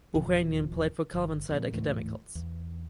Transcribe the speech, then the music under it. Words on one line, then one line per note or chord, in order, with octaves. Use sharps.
Buchanan played for Kelvinside Academicals.
D#1 E2 F3
G1
F2 A#2
D1 G#2 E3 A3
E2